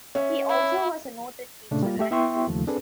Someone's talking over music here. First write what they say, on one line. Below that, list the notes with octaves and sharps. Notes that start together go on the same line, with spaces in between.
He also was a noted teacher and coach.
C#4 E5
E4
A#2 C#3 A3 D4
G3 A#3 F4
A3 G4 E5
B3 E4 E5 G5 C6 C#6
D#2 C#3 F3 A3
C4 D4 G#4 A4 B4